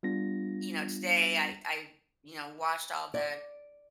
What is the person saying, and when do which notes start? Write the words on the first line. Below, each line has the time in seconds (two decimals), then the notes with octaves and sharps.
you know, today, I I, you know, washed all the
0.03 G3 B3 D4 F4 A#6
3.14 D5